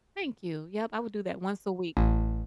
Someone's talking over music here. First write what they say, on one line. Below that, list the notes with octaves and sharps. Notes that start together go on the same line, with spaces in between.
Thank you, yep, I would do that once a week.
A1